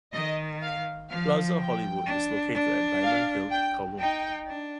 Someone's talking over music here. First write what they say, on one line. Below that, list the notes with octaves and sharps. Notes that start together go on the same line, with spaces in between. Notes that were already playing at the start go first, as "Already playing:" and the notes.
Plaza Hollywood is located at Diamond Hill, Kowloon.
D#3 D#5
F5
F3 F5
G5
D4
D4
F5
G5
D#4 G5
D4